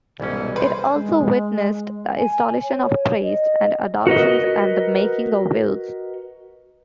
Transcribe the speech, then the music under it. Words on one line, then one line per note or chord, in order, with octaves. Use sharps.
It also witnessed the installation of priests, and adoptions, and the making of wills.
C2 G#2 B2 E3 C#4
B4 C5
G#3
G#5
C#5
D#5
F#4 A#4 B4 D#5